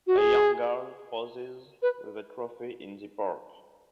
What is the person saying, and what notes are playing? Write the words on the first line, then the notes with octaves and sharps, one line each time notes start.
A young girl poses with a trophy in the park.
F#4
G#4
B4